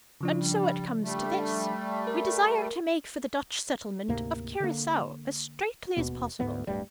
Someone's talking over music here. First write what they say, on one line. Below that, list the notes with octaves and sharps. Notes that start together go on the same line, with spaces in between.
And so it comes to this: We desire to make for the Dutch settlement of Curacao as straightly as possible.
C#3 F3 D4
G3
G3 A3
A#4
D2 G#2 C3 A#3
D3 A#3
E1 D#2 B2 B3
D2 G#2 G#3 B3
D1 G2 G3 A3